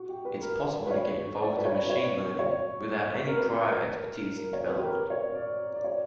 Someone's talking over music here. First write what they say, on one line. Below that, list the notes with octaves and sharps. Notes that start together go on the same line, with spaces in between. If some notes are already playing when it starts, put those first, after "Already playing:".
It's possible to get involved in machine learning without any prior expertise in development.
Already playing: F#4
G4
B4
A#4
B4
C#5
D5
B4
C#5
B4
C#5
C#5
A#4
B4
A#4
A#4
C#5
B4
G4
A#4
C#5
D5
D5
C#5